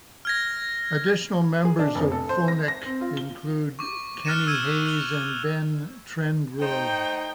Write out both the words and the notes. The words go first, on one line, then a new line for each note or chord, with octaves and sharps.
Additional members of Phonik include Kenny Hayes and Ben Trengrove.
F6 G#6 A#6
G#4
D4
F1
A4
C5
A#6
A#6
C4
F4
G7
C#6 D6
F6 F#6 A6 C#7 D#7 E7
E6 G#6 D#7
F#6 F7 G7
A3 D#4 C5 G5